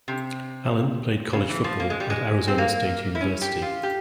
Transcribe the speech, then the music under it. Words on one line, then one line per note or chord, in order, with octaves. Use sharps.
Allen played college football at Arizona State University.
C3
C#3
E3
F3
A#3
G#3
G3
G#3
C4
A#3
E4
C#4
G4
F4
G4